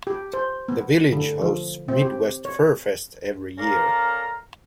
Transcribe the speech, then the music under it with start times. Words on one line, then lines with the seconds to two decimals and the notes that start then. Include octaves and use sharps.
The village hosts Midwest FurFest every year.
0.07 G4
0.33 C5
0.68 B3
1.12 D3
1.42 F3
1.88 C4
2.02 G4
2.45 C#5
3.58 C#4 A4 A#4 D5 F5 A#5